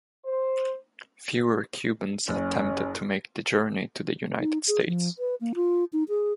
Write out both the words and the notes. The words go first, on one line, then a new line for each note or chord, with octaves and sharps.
Fewer Cubans attempted to make the journey to the United States.
C5
F#1 C#4
D#4
G#4
F3
B4
A#3
F4
D#4
G#4